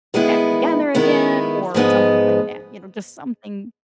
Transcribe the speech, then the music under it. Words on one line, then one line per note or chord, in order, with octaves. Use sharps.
get back together again or something like that, you know, just something
D#3 G#3 B3 E4
D#3 G#3 B3 E4
G#2 F3 G#3 B3 D#4